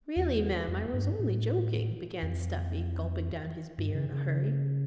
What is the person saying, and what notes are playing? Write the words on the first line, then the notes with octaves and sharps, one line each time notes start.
'Really, ma'am, I was only joking,' began Stuffy, gulping down his beer in a hurry.
E2
F2
G2
A2
F2
G2
C#3
C#3